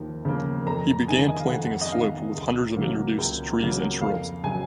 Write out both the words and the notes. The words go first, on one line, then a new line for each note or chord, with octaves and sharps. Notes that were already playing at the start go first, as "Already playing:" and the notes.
He began planting a slope with hundreds of introduced trees and shrubs.
Already playing: D#2 F3 A#3
C#3 F3 A#3
F2 A#5
D#3 G#3 G#5
D#5
F5
F2 F#5
D#5
D#3 G#3 F5
C#2
C#3 F#3 A#3
C#2
C#3 F#3 A#3
F2 F5
C#3 F#3 G#5